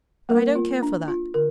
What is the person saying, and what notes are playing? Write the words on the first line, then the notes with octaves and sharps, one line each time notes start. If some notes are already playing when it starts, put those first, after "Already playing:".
But I don't care for that.
G3 A#3 D4 A#4
F4
D4
F4
D3 A#4